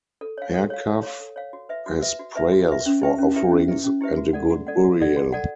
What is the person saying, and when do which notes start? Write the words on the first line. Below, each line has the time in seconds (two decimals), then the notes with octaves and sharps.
Harkuf has prayers for offerings and a good burial.
0.21 A4
0.38 C#5 F5
0.54 A4
0.70 C#5 F5
0.87 A4
1.03 C#5 F5
1.20 A4
1.36 C#5 F5
1.53 F#4
1.69 B4 E5
1.86 F#4
2.02 B4 E5
2.19 F#4
2.35 B4 E5
2.52 F#4
2.68 B4 E5
2.86 C#4
3.02 E4 G4 B4 E5
3.18 C#4
3.35 E4 G4 B4 E5
3.52 C#4
3.68 E4 G4 B4 E5
3.84 C#4
4.01 E4 G4 B4 E5
4.17 F#4
4.33 A4 D5 F#5
4.50 F#4
4.67 A4 D5 F#5
4.84 F#4
5.00 A4 D5 F#5
5.17 F#4
5.32 A4 D5 F#5